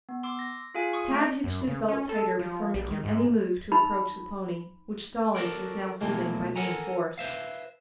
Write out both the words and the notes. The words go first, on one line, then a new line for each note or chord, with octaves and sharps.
Tad hitched his belt tighter before making any move to approach the pony, which Stallings was now holding by main force.
B3
C6 D6 E6
A#6
F4 G#4 F5 G#5
C#6 D#6
A3 A#5 G6 B6 D7
F#2
C#3
C#4
A4
F3
A#1
D#3
G#2
D#4 B5
F#4 A4 A#4 D5
B2 E3 F#3 A3 A#3
A4 A#4 F#5 G#5 A#5
B4 C5 E5 F5